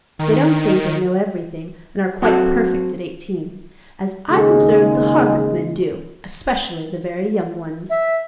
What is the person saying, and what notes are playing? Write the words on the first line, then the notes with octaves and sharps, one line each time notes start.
They don't think they know everything and are quite perfect at eighteen, as I've observed the Harvard men do, especially the very young ones.'
D#3
F#3 C4 F#4 A4
D#2 C#3 G#3
E5